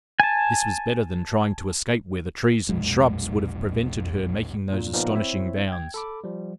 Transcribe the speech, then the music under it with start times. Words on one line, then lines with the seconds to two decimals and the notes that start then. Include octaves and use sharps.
This was better than trying to escape where the trees and shrubs would have prevented her making those astonishing bounds.
0.20 G#5 A5
2.69 B1 F2 A#2 G#3
4.70 G2 A#2
4.93 A#2 F3 A#3 B3 D#4
5.15 C4 E4 C5 C#5 E5
5.68 G5 G#6
5.94 A4 B5 D6
6.24 F3 G3